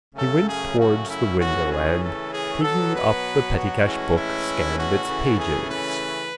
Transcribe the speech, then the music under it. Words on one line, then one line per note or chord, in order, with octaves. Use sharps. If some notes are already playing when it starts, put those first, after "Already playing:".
He went towards the window and, taking up the pettycash book, scanned its pages.
F#2 C#3 F#3 A3 C#4 A4
G#4
F#4
E4
C#3 E3 A3 C#4 F#4
G#4
A4
G#4
B2 F#3 B3 A4
B4
F#4
A2 E3 G#3 C#4
E4
F#4
C#3 E3 A3 C#4
G#4
B4